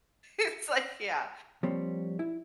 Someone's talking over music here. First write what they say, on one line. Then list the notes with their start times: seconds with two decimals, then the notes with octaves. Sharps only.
It's like yeah,
1.63 F3 G3 A#3 C4 C#5
2.19 E4